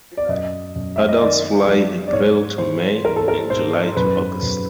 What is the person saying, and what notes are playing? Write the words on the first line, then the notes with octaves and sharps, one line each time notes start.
Adults fly April to May and July to August.
D5
F#2 D#5
F#2
E5
D#5
D#3 D5
F#3 D5
D5
G#2 C#5
E3 C5
E3 A#4
A4
A#4
G#2 C5
F#2 B4
F#2